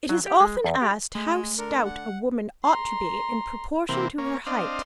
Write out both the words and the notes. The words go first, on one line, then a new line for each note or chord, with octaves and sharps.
It is often asked how stout a woman ought to be in proportion to her height.
F#3
G4
G#3
E2
G4
G#3 A3
D3 A#4
F#5
A#5 C6
C3 E3 A#3 C4
A#3 C#4
C4 D4 D#5 F5